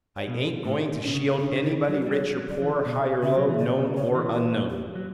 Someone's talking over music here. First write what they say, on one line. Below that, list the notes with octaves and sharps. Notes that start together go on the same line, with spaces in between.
I ain't going to shield anybody, rich or poor, high or low, known or unknown!
C#5
B2
A4
A2 G4
C#4
B2
C#3
C#3 D4
C#3
D3 E4
F#3 F#4
G4
F#4
G3
F#3 C#5
F#3
D5
E3
B2 D5
C#3 E5
F#3
E3
D3 D5
B2
C#3 C#5
E3
B4
G4
F#3